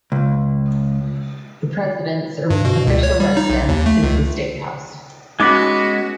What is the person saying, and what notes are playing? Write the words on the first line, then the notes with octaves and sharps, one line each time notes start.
The President's official residence is the State House.
C#2
G2
B2
C#2
C#5
G3
D#4
B1
D#2
A3
C#2
G#3 B3 C#4 D#4 F#4 B4 D6